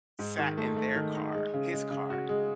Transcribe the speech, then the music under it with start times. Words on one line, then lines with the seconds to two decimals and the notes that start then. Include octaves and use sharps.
sat in their car his car,
0.19 G#2
0.39 D#3
0.57 A3
0.77 A3
0.95 D#3
1.15 D#4
1.34 G#3
1.54 C#3
1.72 G#3
1.91 C#3
2.10 F#4
2.29 G#3